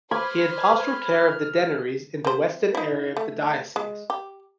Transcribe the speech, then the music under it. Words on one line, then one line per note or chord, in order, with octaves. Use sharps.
He had pastoral care of the deaneries in the western area of the diocese.
B4 C5 B5 D6 F6 G#6
C4 C5
D#4 E4
A3
G#3
G4